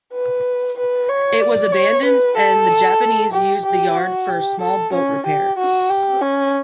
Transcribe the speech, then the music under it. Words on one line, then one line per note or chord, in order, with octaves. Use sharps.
It was abandoned and the Japanese used the yard for small boat repair.
B4
B4
C#5
D5
C#5
B4
A4
G4
G4
F#4
G4
A4
C#4
G4
F#4
G4
C#4